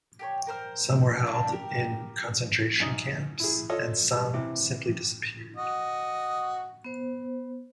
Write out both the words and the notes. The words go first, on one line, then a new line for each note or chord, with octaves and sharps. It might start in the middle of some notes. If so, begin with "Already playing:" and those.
Some were held in concentration camps and some simply disappeared.
G4 A#4 C#5
A#4 C5 F6
A#3 C4 D4 E5
G4 A#4
F#2 D#4 D#6
E4 G#4
F4 A4 C#5 D#5
G3
C3 E3
F#4 D#5
B3 C5